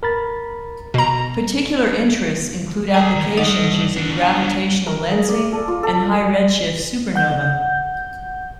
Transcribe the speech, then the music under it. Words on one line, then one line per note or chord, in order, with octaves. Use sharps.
Particular interests include applications using gravitational lensing and high-redshift supernovae.
A#4 B5 A6
B2 A#5
A4 G#5 A#5
D#3 G3
G2 D#4 D5 D#5 F#5
B3 D4
G#5
A#4
G#4
D5
A4
F4
A4
F#5 G6